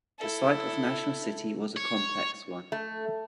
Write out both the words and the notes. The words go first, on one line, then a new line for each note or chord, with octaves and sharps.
The site of National City was a complex one.
E4 A4
C#5
A3